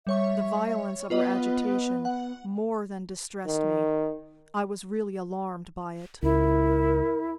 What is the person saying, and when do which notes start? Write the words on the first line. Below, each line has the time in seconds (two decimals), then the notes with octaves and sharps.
The violence of her agitation more than distressed me--I was really alarmed by it.
0.07 G3 C#5 E5 C#6
1.10 B3 F4 B4 D#5
2.05 F#5
3.46 D#3
6.23 C#2 E4 A#4